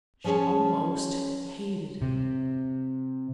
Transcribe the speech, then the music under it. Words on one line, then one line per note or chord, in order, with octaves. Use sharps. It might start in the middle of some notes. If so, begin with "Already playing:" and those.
She almost hated him.
F3 C#4 G#4 C#5 A5
C3